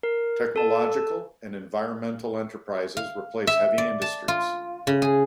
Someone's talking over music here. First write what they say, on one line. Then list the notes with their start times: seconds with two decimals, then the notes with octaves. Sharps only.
Technological and environmental enterprises replace heavy industries.
0.03 A#4
0.56 A4 A5
2.97 F5
3.47 E5
3.78 D5
4.02 A5
4.28 F4
4.87 C#3
5.02 G#4